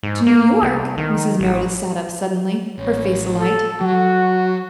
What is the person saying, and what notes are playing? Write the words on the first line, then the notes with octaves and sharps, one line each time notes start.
"To New York?" Mrs. Merideth sat up suddenly, her face alight.
G#2
A#3
C2
D#3
A1
A1 C#5
A4
F#3 F#4